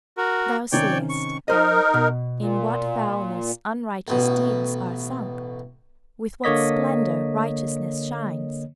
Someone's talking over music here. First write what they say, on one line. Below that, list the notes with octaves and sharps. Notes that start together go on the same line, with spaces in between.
'Thou seest, then, in what foulness unrighteous deeds are sunk, with what splendour righteousness shines.
F#4 A#4
C3 D#3 C#4 C#5 D5 G5
C#6
D#4 A#4 C5 D#5
B2
A#2
A1 B2
D3 A#3 C#5 D#5 B6